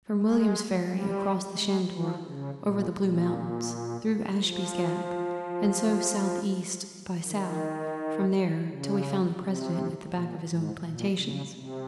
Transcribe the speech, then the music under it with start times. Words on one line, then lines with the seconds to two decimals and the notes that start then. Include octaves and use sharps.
From Williams Ferry, across the Shanedore, over the Blue Mountains, through Ashby's Gap, and so south-east by south from there, till we found the President at the back of his own plantations.
0.11 G#3
0.83 G3
1.54 G#3
1.89 F3
2.25 C#3
2.61 A#2
2.97 A#2
4.39 F3
7.25 D#3
8.67 C#3
9.38 C3
10.10 A#2
10.46 G#2
10.81 A#2
11.16 C#3
11.52 C3